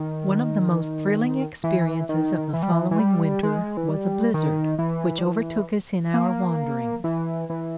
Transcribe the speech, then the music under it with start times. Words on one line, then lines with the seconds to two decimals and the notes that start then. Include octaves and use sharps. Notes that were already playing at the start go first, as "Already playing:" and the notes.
One of the most thrilling experiences of the following winter was a blizzard, which overtook us in our wanderings.
Already playing: D#3
1.64 E3
2.09 D#3
2.53 E3
2.63 G3
2.72 E3
2.91 E3
2.99 G3
3.43 G#3
3.77 E3
3.89 G3
4.34 D#3
4.79 E3
5.18 G3
5.24 E3
6.14 A#3
7.04 E3
7.50 E3